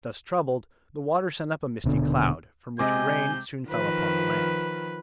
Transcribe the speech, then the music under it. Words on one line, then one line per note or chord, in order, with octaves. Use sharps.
Thus troubled, the water sent up a misty cloud, from which rain soon fell upon the land.
D#1 B2 D3
C3 G#3 C4 D#5 G#5 D6 G6
D#3 F3 B4